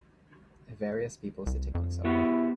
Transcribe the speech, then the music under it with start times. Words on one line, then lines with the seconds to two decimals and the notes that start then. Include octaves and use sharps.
Various people sitting on a subway.
1.46 C2
1.75 F2
2.05 B3 E4 F#4 G4